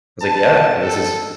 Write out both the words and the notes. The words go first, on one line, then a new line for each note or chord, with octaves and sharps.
was like, "Yeah, like, this is"
A5
A4